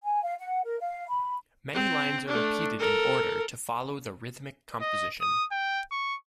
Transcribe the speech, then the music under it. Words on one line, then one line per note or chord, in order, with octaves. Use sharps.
Many lines are repeated in order to follow the rhythmic composition.
G#5
F5
F#5
A#4
F5
B5
C4
A3 D4
A4 A#4
D#5
D#6
G5
C#6